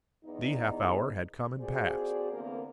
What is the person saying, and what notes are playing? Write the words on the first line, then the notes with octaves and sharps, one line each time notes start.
The half-hour had come and passed.
E2 D#4
F2 A#2 F#4 G#4 C5 D5
E2 D3 A#3 C4 A#4